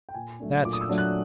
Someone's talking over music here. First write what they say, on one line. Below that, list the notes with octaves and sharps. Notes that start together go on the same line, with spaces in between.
'That's it!
G5
A#2 G#5
F#3 A3 D4
A#2 D6
D#6
E6
F#3 A3 D4
F#6